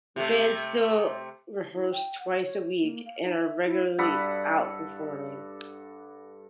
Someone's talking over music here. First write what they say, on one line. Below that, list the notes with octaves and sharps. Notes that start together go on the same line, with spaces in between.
The band still rehearse twice a week and are regularly out performing.
C3 A3
E4
G5
F#5
C#5
A#3
F5
D#4
E5
E4
G2 A4 F#5 B5